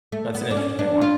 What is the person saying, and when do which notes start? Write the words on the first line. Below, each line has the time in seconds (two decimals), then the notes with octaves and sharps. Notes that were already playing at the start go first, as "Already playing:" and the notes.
That's an interesting one.
0.12 A3
0.35 B3
0.51 D4
0.57 C#4
0.79 D4
1.01 F4